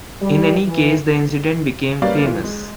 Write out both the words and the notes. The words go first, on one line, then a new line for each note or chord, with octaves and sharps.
In any case the incident became famous.
G3
E3
G3 A#3 C#4 B4 D5 F5
E3 F4
G#3